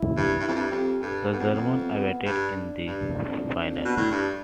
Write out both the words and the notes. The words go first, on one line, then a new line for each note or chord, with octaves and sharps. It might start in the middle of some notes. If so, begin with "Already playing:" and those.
The Germans awaited in the final.
Already playing: E4
G2
G2 E4
F2
G2
F2 G4
G2 A4
G2 B3
F2
F2
B3
G2 D4
G2
F2
B2
A2
G2